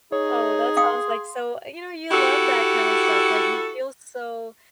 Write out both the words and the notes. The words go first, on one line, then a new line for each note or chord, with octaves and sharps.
Oh, that sounds like so You know, you love that kind of stuff, like, you feel so,
D#4 G#4 C#5
F5 G5 C6 D#6
E4 F#4 G4 A4